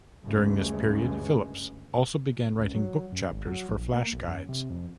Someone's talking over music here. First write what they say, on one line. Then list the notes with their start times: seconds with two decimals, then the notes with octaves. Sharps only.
During this period, Phillips also began writing book chapters for flash guides.
0.24 F#1 D2 G2 C#3 G#3 A3
2.59 C#2
2.74 F#3
3.12 F#2
3.31 G#1
3.47 F#3
3.69 A#1
3.94 A#3
4.13 B1
4.27 F#2
4.49 C3
4.70 F2